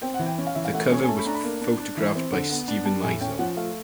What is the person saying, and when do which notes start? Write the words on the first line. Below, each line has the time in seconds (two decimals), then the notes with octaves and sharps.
The cover was photographed by Steven Meisel.
0.02 C4 G5
0.14 F#5
0.19 E3
0.26 G5
0.38 C#4
0.47 F5
0.55 E3 E5
0.65 F5
0.74 A3 F#5
0.90 C#4 G#5
1.03 G#5
1.08 A3 A5
1.18 B5
1.26 D4 A#5
1.34 B5
1.44 A#3
1.62 D4
1.80 D4
1.97 E3
2.15 C4
2.32 D3
2.50 B3
2.68 D4
2.85 G3 A5
3.03 A2 G#5
3.21 C#4 G5
3.39 F3 F#5
3.56 A3 F5